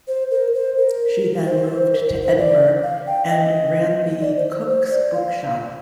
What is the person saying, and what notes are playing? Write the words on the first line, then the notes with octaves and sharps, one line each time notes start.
She then moved to Edinburgh and ran the Cooks Book Shop.
C5
A#4
C5
A#4
C5
A#4
C5
C5
D5
F5
G5
D#5
D5
C5
C5
C5
D5
F5